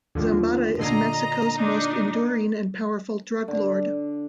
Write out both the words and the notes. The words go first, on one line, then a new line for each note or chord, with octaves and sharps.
Zambada is Mexico's most enduring and powerful drug lord.
D#2 D3 F3
A#2 D3 D#5 A#5 C7
D4 D#4
D3